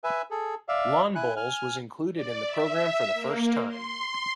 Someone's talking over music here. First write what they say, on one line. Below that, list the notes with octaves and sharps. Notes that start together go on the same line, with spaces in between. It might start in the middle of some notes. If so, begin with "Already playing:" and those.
Lawn bowls was included in the program for the first time.
B4 E5 G#5
G#4 A4
D5 E5 F5
E4 G#5 F#6
G#5 F6
D5
E5
A#3
C6